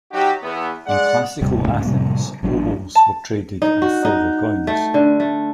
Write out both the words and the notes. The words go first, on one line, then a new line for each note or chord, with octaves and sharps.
In Classical Athens, obols were traded as silver coins.
F#3 D#4 F#4 G4
E2 B3
G#3 D5 F#5
D#1 G#2 C3 G3
C#2 G#2 B2 D3
A2 C3 G3 A#3
A1 F#3 G3 D4
A5
D#4
F#4
D#4
A3
D3
A3